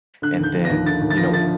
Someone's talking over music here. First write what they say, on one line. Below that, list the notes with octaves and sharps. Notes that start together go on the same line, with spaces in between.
And then, you know,
D3 F#6
D#2 G6
F3
A#6
D#2
D3 A6
D#2
A6
F3 A#6
A6